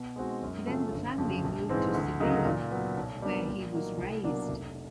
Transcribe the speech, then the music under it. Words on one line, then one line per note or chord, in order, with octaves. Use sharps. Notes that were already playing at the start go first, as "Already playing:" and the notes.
Then the family moved to Seville, where he was raised.
Already playing: B2
G#3 C4 D#4 F#4
F#2
C#3 F3 A3 C#4
G1
F2 C#3
A#1
G#2 E3 G#3 C4
D2
C#3 F#3 A#3 D#4
A#2
F#3 B3
B1
B2 G3 A#3 D4
A#2
F#3 A#3 D#4
C2
B2 F#3 A#3 D4
F1